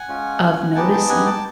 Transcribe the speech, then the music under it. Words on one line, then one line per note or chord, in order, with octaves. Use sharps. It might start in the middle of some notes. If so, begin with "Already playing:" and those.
of noticing
Already playing: F#5 G#5
G#3 C#4 F4
G#3 B3 D#4 G4 G5 A5
G5 A5
F#5 G#5
G5 A5